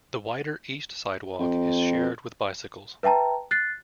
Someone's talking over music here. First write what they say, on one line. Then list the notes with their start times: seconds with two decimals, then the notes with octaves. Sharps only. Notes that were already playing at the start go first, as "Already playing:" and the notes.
The wider east sidewalk is shared with bicycles.
1.39 F2
3.03 B4 E5 G5 A5 A#5
3.51 F#6 A6 C7